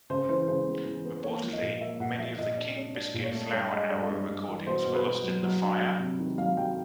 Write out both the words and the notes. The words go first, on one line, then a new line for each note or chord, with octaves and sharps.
Reportedly, many of the King Biscuit Flower Hour recordings were lost in the fire.
C#3 C5
E3 C5
C#3 C5
B3
E3
B3
A#3 C#5
F3
D#5
A#2
A#3 E5
A#2 F#5
F3 E5
A#2 D#5
D4 D5
D4 C#5
D4 D5
A#2
C#5
A3
G2 C#5
G#3 D#5
G2 D5
G2
G2
E3
B2 C5
B2
B4
B2
F#3
F#3
D4
F#3
C3
D#3
F#3 F5
F#3 G5